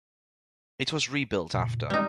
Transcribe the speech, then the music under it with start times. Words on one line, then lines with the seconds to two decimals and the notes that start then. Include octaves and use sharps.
It was rebuilt after.
1.54 F2 A#2 C#3
1.90 G3 G#3 D#4